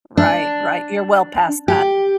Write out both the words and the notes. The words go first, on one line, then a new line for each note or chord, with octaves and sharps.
Right, right, you're well past that.
D4
G4